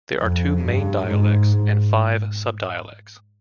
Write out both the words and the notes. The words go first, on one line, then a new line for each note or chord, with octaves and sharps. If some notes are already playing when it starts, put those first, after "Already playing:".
There are two main dialects, and five subdialects.
F2
G2
G#2